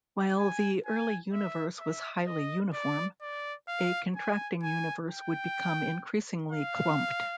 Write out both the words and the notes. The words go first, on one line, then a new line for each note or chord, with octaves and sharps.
While the early universe was highly uniform, a contracting universe would become increasingly clumped.
G#5
G#5
E5
E5
D#5
D5
D5
F5
G#5
G#5
G5
F5